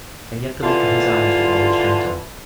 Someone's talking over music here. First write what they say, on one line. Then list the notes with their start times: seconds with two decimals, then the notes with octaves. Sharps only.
And yet the look in his eyes was always gentle.
0.62 D3 E3 F4